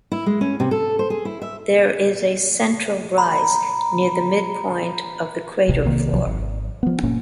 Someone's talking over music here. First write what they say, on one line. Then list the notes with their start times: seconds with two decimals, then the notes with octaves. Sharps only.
There is a central rise near the midpoint of the crater floor.
0.12 E4
0.26 G#3
0.41 C#4
0.60 C3
0.71 A4
0.99 C5
1.10 G#4
1.25 E4
1.42 E5
3.18 A#5 B5
5.69 D1 A1 C3
5.85 B1 C3 D#3 A#3
6.13 B1 C3 F3 F#3
6.27 G#1
6.83 F3 B3
7.03 F#1 A#2 A#3 C#4